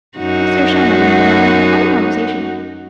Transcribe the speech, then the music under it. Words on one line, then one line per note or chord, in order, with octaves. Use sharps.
Mr. Shelmardine and I had quite a conversation.
F#2 D#4 F#4